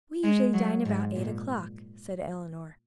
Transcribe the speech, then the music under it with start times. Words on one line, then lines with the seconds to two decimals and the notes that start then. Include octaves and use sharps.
"We usually dine about eight o'clock," said Eleanor.
0.23 G#3
0.53 F#3
0.86 G#2
1.16 A#2